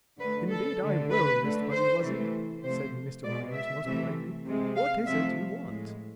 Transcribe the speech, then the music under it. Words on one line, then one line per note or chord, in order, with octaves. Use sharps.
"Indeed I will, Miss Fuzzy Wuzzy," said Mr. Longears, most politely. "What is it you want?"
D3 A3 B4
A4
D3 A3
B4
D3 A3
C5
C3 E3 A3
C3 F3 A3 C5
B2 G#3 D5
E5
C3 E3 A3
C3 G#3
F5
C3 F3 A3 E5
A2 G#3